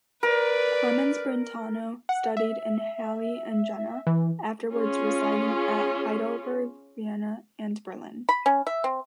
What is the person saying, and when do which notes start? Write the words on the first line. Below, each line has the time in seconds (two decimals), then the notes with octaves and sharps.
Clemens Brentano studied in Halle and Jena, afterwards residing at Heidelberg, Vienna and Berlin.
0.23 A#4 B4 D5
2.09 F#5
2.37 E5
4.07 E3
4.73 C#4 F4 G#4
8.29 B5
8.46 C#4
8.67 E5
8.84 C4